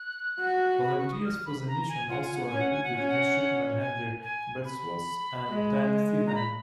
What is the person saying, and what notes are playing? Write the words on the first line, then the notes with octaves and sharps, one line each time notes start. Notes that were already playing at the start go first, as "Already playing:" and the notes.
Volunteers for the mission also included Midshipman Henry Wadsworth and ten seamen.
Already playing: F#6
F#4
B5
C#6
D#6
F6
B5
A#5
G#5
F4 F#5
G#5
F#5
G#5
C#4
F#5
G#5
F#5
C#4 G#5
F#5
G#5
G#5
B5
G#3
A#5
B5